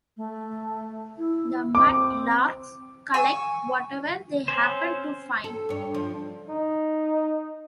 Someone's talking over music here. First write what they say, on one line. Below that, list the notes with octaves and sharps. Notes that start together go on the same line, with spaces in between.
The mud-larks collect whatever they happen to find.
A3
E4
C4 D6
G#5 C#6 E6
C4 C#4 C5
A4
G2 C#5
F3
D#4